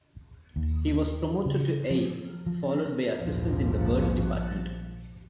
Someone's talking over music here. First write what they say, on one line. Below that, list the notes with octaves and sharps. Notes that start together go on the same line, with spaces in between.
He was promoted to Aid, followed by Assistant in the birds department.
D#2
C#3
F3
F3
A#1 D#2 G#2 F3